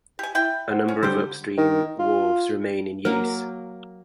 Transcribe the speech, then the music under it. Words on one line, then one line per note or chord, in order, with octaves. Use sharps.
A number of upstream wharves remain in use.
G4 G#5
E4 G5
C5 F#5
C#4
D3 G3 G4 C5
D#3
F4
F#3 A#3 A#4